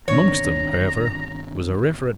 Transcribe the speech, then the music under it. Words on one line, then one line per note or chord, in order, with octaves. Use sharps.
Amongst them, however, was a Rev.
G1 B2 D#3 C4 D4 C#5 A#5